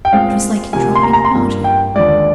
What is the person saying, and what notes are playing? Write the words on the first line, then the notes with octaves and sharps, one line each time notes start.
It was like dropping water.
G5
A#2 G#3 C4 F5
D2 C3 F3 A#3 G#5
C6
A#5
A#5
C6
G2 F3 A#3
G5
D#2 D3 F3 G#3 D5